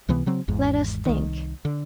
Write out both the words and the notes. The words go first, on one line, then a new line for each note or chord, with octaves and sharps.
Let us think.
C#2 C3 E3 B3
C#3 F#3 C4
G#1 E2 G#2
C2 D#3
D3